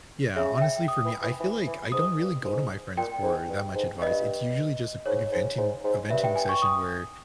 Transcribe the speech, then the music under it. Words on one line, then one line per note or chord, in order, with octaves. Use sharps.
Yeah. Honestly, for me, I feel like I don't really go to my friends for that much advice. It's usually just a quick venting a venting session where
C#3 E5
E5
G5
D#6
E3
E3
E3
E3
G#2 D#6
G2
G#2
A#2 G5
G#2
G2
G#2
G2 D#5
G#2 C#5
G#2
G#2
G#2
G2 E5
G5
G#5
C#6
D#6